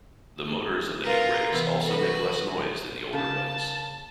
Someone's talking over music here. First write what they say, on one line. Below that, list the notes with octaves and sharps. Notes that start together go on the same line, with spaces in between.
The motors of the new rakes also make less noise than the older ones.
F4 A#4 B4 F5
C3 E3 B3
F#4 A4 B4 C5
C#3 A#3 A5